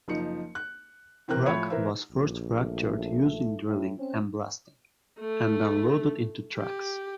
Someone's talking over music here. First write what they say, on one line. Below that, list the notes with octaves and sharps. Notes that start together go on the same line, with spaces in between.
Rock was first fractured using drilling and blasting, and then loaded into trucks.
F#1 F3 D#4 C#7
F#6
C3 E3 C4 A#4 F#6
A2 F3 C#5 E5 B5 G#6
E3 A#4 C5 E5
A#1
A3
A2
C4 C#4
A3
G4